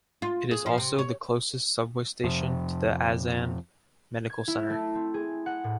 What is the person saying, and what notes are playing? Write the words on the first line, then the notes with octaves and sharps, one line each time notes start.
It is also the closest subway station to the Asan Medical Center.
F4
G#4
F3
C3
C#5
F2 C3 F3
G#6
E4
A3
C4
G#4
F#5
A2